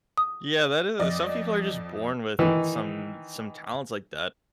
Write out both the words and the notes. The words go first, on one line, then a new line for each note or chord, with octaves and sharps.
Yeah, that is some people are just born with some some talents like that,
D#6
F2 D5 D#5
D#3 E3 D#4